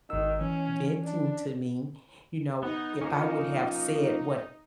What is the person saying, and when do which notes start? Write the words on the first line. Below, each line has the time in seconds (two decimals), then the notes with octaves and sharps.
venting to me, you know, if I would have said what
0.10 G#1 D#3 E6
0.41 E3 C#4
1.03 D4
2.63 B3 D#4
3.01 F3 A#3 C#4